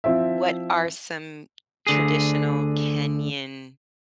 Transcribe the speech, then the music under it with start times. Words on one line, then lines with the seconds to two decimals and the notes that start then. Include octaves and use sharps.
what are some traditional Kenyan
0.04 F3 C4 E4 E5
1.87 D2 D3 G#4